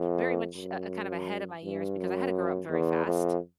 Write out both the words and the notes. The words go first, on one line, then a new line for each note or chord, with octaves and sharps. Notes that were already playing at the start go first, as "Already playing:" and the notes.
very much, uh, kind of ahead of my years, because I had to grow up very fast.
Already playing: F2
F#2
G2
F#2
E2
F2